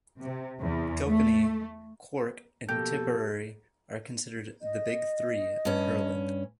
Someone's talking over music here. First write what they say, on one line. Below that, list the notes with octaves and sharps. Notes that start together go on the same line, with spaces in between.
Kilkenny, Cork and Tipperary are considered "the big three" of hurling.
C3
E2
A3
F2 B2 A#3 G4 A4 G6
D#5
G2 C#4